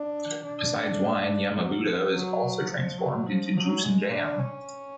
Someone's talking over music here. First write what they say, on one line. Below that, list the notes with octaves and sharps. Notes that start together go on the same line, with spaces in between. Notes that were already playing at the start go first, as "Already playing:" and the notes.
Besides wine, yama-budō is also transformed into juice and jam.
Already playing: D4
D4
F#3
F3
F#3
F3
F#3
F3
F#3
G#3
D4
C#4